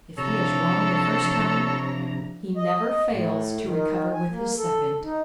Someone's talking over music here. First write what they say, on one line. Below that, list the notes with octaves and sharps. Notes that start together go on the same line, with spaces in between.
If he is wrong the first time, he never fails to recover with his second.
C3 F3 D4 E4 A4 C#5 A#5
D#5
A2
D#3
G#5
A#3
A4
D#4